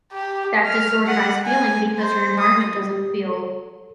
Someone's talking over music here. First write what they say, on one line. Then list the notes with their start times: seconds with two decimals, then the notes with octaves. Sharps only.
that disorganized feeling, because your environment doesn't feel
0.13 G4
0.65 F6
1.07 F#5
1.46 G#5
1.99 C5
2.40 D#6
2.77 G4
3.29 A4